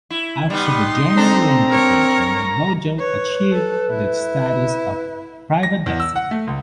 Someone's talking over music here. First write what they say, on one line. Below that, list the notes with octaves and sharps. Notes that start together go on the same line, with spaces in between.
After the German reunification Vogel achieved the status of Privatdozent.
E4
G3 B3 D#4 C6
C4 D4 A4 A#5
A#4 C#5
B4 C#5
A4
E4
A#6
E2
E6
F#5
A3
C#2